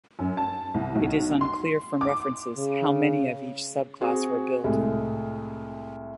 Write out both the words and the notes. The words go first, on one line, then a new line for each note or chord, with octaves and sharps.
It is unclear from references how many of each subclass were built.
F#2
A5
C2
B1
C6
D6
C#3
C4 F#4 G#4
C2 A2 G#3